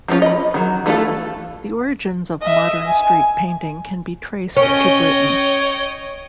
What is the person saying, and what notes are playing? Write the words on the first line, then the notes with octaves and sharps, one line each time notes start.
The origins of modern street painting can be traced to Britain.
F3 G#3 B3 C#4 F4
D#5 B5
D#3 F#3
E3 A3 E4 F4 A4
D#5 E5
G#5
C#4 C#5 D#5 G5